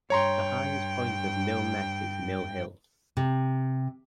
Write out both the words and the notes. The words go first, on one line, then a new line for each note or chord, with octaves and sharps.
The highest point of Mill Neck is Mill Hill.
G2 C#5 G5 A#5 C6
C3